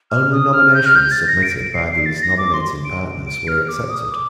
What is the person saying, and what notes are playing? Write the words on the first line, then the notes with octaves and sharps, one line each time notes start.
Only nominations submitted by these nominating partners were accepted.
F6
D#6
F6
G6
F6
G6
A6
A#6
D7
D7
C7
C7
A6
A#6
D6
C6
D7
D7
F6
D6
D#6
D6